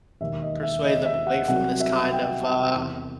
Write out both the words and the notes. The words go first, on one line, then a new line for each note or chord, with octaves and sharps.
Persuade them away from this kind of, uh
E1 D#2 D#3 E5
D#5
E5
D#5
E5
F#5
C2 C3 F#3 F#5
E5
G5
A5
E2 C3 E3